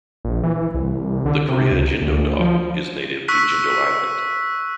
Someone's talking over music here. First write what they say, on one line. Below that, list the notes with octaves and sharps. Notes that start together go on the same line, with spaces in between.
The Korea Jindo Dog is native to Jindo Island.
A#1
E3
C2
D3
C3
C#2
D2
F3
C#6 E6 F#6 B6